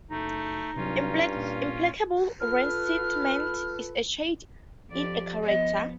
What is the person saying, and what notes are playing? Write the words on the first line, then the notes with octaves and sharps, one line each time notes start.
Implacable resentment is a shade in a character.
F#1 A3 D#4
G2 C3 F#3 C#4 F4
A#2
F4 A4 B4 F6
F2 G4 D5
F3 B3 D#5